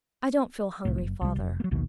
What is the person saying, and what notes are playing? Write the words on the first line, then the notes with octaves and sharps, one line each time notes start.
'I don't feel hungry, father.
C2 A2
F#1
C2 G3
F1
F#3 A#3
A#1 D#2 B2 D#3